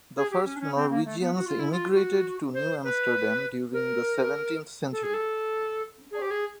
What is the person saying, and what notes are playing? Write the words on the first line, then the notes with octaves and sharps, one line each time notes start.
The first Norwegians immigrated to New Amsterdam during the seventeenth century.
G#4
G4
C#4
D4
C#4
C4
A#3
A3
B3
F#4
F4
E4
F4
F#4
C5
B4
A#4
A4
G#4
A4
G#4
G4
G#4